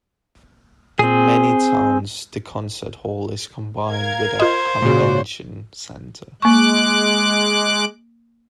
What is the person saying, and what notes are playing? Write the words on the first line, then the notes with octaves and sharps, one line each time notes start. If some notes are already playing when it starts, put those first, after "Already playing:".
In many towns, the concert hall is combined with a convention center.
C4 G#4
A#4 F5 G#6
F4 C5 D#5
A#2 C#3 F#4 C#5 D5
G#3 A#3 C#6 D6 F#6